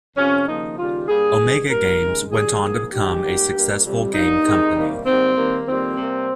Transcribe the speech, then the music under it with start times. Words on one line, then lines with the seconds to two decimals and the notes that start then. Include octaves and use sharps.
Omega Games went on to become a successful game company.
0.16 F2 C3 F3 C#4
0.47 D#2 C#3 F3 A#3 D#4
0.77 D#2 C#3 G3 F4
1.08 G2 G3 A#3 G#4
1.39 G2 D#3 G#3
1.69 G2 G3 A#3 A#4
2.00 D#2 C#3 G#3
2.30 F2 D#3 G3 G#4
2.61 G#2 F3 A#3
2.91 G2 D#3 G#3 G4
3.23 G#2 G3 A#3
3.53 G2 G3 A#3
3.84 F2 C3 G3
4.13 G2 G3 A#3 D#4
4.44 C3 D#3 G#3
4.75 C3 D#3 G3 A#3
5.05 G#2 D#3 G3 A#3 C4
5.36 D#2 D#3 G3 A#3
5.67 F2 D#3 G3 A#3 C4
5.97 C3 G3 A#3